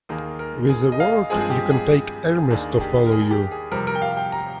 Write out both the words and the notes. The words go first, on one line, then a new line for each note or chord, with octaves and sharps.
With a word, you can take armies to follow you.
D#2 D#3 A#3 G#4
A#4
G#4
D#5
F5
G2 F3 G#3 C4 G#4
G#4
G4
G#4
D#2 D#3 A#3 D4 G#4
G#4
G4
A#4
G#4
G#4
G4
G#4
F2 C3 G3 C4 A#4
A#4
G5
F5
G5
A#5